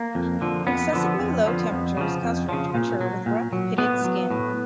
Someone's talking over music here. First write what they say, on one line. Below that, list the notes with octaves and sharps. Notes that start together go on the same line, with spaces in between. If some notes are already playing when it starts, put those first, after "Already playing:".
Excessively low temperatures cause fruit to mature with rough, pitted skin.
Already playing: A#3
F2
D3 F3
F2 B3
D3 F3
F2
D3 F3
F2
C#3 F3
F2
C#3 F3
A#2
F#3
A#2
F#3
A2 B3
F#3
A2